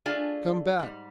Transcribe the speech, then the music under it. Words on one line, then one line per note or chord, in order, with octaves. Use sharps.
Come back!
A3 D4 F4 G#4 D5 G#5
G#2 G3